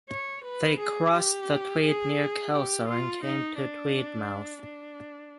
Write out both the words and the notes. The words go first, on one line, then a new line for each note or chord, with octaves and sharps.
They crossed the Tweed near Kelso and came to Tweedmouth.
C#5
B4
G#4
G4
G#4
G4
F4
D#4
D4
D4